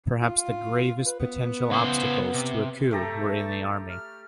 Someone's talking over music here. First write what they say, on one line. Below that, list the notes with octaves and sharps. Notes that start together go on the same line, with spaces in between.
Perhaps the gravest potential obstacles to a coup were in the army.
F4
B4
B3
C#3 E4 C5
C3
A3 G4 A4 A#5
F6